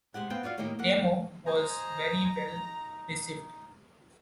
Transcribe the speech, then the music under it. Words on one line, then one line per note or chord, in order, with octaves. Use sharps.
"Demo" was very well received.
C3 G#3 G4 F#5
B3 C4 F5 G5
F4 F#4 D5 F5
A2 D#3 A#3 D#4 G4 D#5
F2 A#3 F#5
C5 D#5 G#5 A#5
D#4